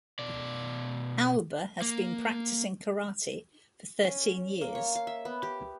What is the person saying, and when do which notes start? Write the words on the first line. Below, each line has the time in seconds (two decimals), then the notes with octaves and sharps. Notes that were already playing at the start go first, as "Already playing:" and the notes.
Alber has been practicing karate for thirteen years.
0.19 B2 D5
1.82 A#3
4.04 C#4
4.61 A#3
4.75 C#5
4.95 F5
5.07 E5
5.25 B3
5.43 G4